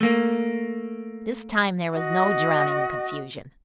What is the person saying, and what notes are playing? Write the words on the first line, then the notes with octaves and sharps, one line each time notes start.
This time there was no drowning the confusion.
A3 A#3
F#4 D#5